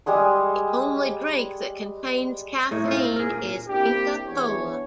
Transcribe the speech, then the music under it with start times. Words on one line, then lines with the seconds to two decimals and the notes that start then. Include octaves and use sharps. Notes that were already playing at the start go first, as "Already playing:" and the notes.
The only drink that contains caffeine is Inca Kola.
0.06 G3 G#3 G#5 D#6
2.71 A2 D#4 C#5
2.84 C4 F4
2.99 A#4
3.16 G#4 A#4
3.30 A#2
3.68 A#3 C4 D4 E4 G4
4.27 E3 B3 D4 G#4 C#5